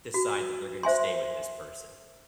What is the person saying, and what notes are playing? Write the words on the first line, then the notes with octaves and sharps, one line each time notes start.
decide that they're gonna stay with this person.
F#4
C5 E5 G#5 C6